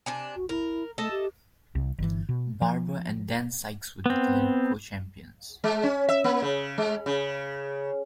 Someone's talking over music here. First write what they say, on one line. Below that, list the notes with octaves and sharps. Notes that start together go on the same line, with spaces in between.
Barber and Dan Sikes were declared co-champions.
C3 D4 G#5
F#4
E4 A#4
A3 A4 D#5 E5
G4
C2
G1 E3
B2
F3
B3 C4
G#3
C#4
E5
A#3
C#3
G#3
C#3